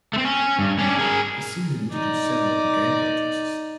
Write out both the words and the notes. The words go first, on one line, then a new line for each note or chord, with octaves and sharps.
The season introduced several new gameplay twists.
A3 C4
C#4
G2
C#4 D4
G#4 A#4
D#4 D5